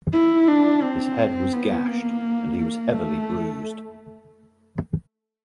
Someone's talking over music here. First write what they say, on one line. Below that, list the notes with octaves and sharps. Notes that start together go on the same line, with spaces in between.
His head was gashed and he was heavily bruised.
E4
D4
C4
B3
A#3
A#3
A3